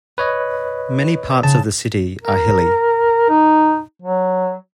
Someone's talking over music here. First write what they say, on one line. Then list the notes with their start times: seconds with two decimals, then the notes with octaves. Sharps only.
Many parts of the city are hilly.
0.18 B4 C#5 D#5
1.43 C#3 A5
2.23 A#4
3.29 D#4
4.02 F#3